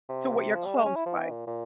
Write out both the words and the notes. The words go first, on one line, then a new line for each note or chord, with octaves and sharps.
to what your clothes like.
C3
F3
G3
G#3
C#4
E4
F3
E3
A#2
A#2